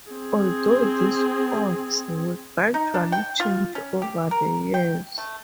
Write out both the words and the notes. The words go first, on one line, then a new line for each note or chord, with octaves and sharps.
Although these oaths were gradually changed over the years.
C4 G#4
D#4
D4
G5
F4
C#4
G4
A#4
G5
A3